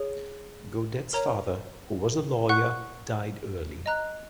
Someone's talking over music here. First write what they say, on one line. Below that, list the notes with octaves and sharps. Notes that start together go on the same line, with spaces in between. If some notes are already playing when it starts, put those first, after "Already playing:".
Godet's father, who was a lawyer, died early.
Already playing: G#4 C#5
A#4 C#5 A#5
F#5 C#6 F#6
D#5 A#5 F#6